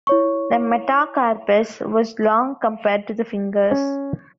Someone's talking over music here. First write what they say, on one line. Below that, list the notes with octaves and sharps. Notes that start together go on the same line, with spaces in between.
The metacarpus was long compared to the fingers.
E4 C#5 C#6
C#4